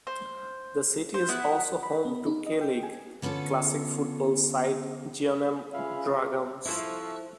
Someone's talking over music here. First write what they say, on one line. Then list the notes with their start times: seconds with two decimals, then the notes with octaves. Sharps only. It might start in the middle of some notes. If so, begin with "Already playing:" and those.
The city is also home to K League Classic football side Jeonnam Dragons.
0.07 C5
1.14 C5
1.28 B3 E4 F#5
1.83 B5
2.05 B3
2.26 D#4
2.46 D#5
2.61 G5
2.83 G#5
3.22 D3 B3 C#4 F4 A4
5.74 C#4 F4 G#4 B4 E5 F5
6.65 F3 E4 A4 C5 C#6 E6 F#6